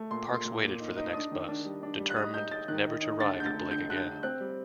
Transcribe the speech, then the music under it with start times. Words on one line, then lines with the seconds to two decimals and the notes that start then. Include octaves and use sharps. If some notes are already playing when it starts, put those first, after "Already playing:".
Parks waited for the next bus, determined never to ride with Blake again.
Already playing: A3
0.11 A#2 C6
0.23 D6
0.28 A#2
0.34 C6
0.45 A#2
0.62 A#2
0.80 D#4
0.97 D#4
1.13 D4 D#6
1.31 D#3
1.48 D4
1.65 G3
1.83 D4
2.00 G3
2.10 F#6
2.17 D#4 D#6
2.34 D#4 G6
2.51 D#4 A6
2.68 D#3 F#6
2.86 D#4
3.02 D#4
3.19 D3 A6
3.37 D3 G6
3.46 A6
3.54 D3
3.71 D3 G6
3.89 D3 F#6
3.97 G6
4.06 D3
4.23 C4 F#6
4.40 G3